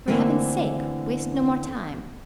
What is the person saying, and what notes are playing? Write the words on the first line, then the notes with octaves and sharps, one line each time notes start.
For heaven's sake, waste no more time.
D3 E3 A3 A#3 C4